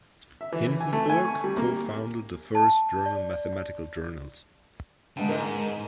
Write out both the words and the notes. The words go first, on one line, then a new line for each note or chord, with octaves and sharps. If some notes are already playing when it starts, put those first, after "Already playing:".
Hindenburg co-founded the first German mathematical journals.
E5
E3
E3
G#5
A3
G#5
C#6
G3
A#3
A5
D5
D3 D#3 G#3 G5 A5
G#2 A#4 D#5